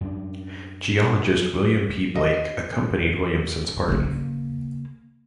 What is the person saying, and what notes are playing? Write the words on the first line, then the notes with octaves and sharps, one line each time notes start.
Geologist William P. Blake accompanied Williamson's party.
F#2 D4
D#5
C#3 A#3